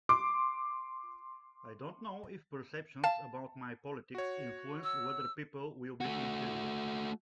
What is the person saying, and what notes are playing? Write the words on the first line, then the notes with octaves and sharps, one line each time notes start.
I don't know if perceptions about my politics influence whether people will be interviewed.
C6 D6
F5 A5
F#4 C#5
E6
A3 F#4